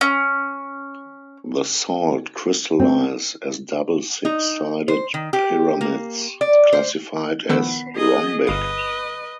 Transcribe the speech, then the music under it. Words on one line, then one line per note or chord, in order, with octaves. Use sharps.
The salt crystallize as double six-sided pyramids, classified as rhombic.
C#4
C4
D#4
C5
D#3
G4
A#3
D5
C5
D#3 F3 B3 E6
G#4 D#5
G1 B4 D#5 F5